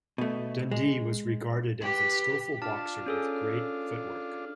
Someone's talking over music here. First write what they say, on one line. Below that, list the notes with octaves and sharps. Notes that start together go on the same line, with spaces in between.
Dundee was regarded as a skillful boxer with great footwork.
B2 A3
G#3
G4 B4
D4 F4 A5
C#4 G#4 A4